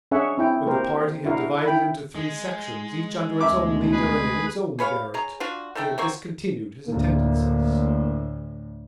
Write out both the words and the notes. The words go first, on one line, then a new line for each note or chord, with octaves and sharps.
When the party had divided into three sections, each under its own leader and in its own garret, he had discontinued his attendances.
C#4 D4 G#4 C#5 E5 F#5
C4 E4 G5
A#3 G4 A#4 C5
D4 E4 F#4 A#4 F5
E4 G5 B5
G#3
D2 B2 E5 D6
G#4 B4
G#4 B4 C#5 F5
C#4 G#4 A#5
D4 F4 F#4
D#3 A3 A4 G5
F#3 A#3 C4 C#6
D2 A2 A#3